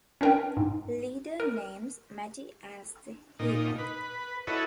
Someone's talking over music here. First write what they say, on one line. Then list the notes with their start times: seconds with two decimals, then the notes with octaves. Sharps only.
Leader names Matty as "the Healer".
0.21 C#4 D4 A#4 B4 G5
0.57 G#2
1.40 A#4
3.39 A#2 D#4
3.78 B4
4.47 E4 F#4 A4 B4 C#5 D#5